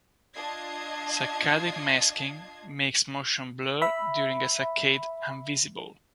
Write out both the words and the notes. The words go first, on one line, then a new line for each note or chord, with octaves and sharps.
Saccadic masking makes motion blur during a saccade invisible.
D4 F4 D#5 A5 G#6 C7
E5 B5